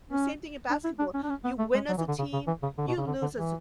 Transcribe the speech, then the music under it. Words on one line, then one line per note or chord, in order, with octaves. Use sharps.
The same thing in basketball, you win as a team, you lose as a
C#4
D4
E4
D4
C#4
D4
C#4
B3
A3
G#3
F#3
E3
D3
C#3
C#3
E3
C#3
D3
B2
C#3
D3
D3
E3